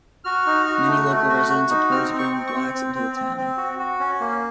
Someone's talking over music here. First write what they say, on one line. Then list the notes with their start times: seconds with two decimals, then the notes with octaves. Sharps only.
Many local residents opposed bringing blacks into the town.
0.24 F#4 F6
0.46 D#4
0.66 F#4
0.87 A3
1.08 A3
1.29 F#4
1.49 F#4
1.70 D#4
1.91 C4 F6
2.13 C4
2.19 C#6
2.32 C4
2.47 C#6
2.54 C4
2.74 C4
2.95 C4
3.16 C4
3.37 C4
3.57 F#4
3.79 F#4
4.00 C#4
4.20 A#3